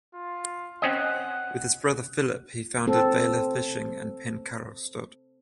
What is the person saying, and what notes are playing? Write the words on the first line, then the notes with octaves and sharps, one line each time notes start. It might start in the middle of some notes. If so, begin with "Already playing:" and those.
With his brother Philip he founded Vela Fishing and Pencarrow Stud.
F4
C4 C#4 D#5 F#5
C4 A4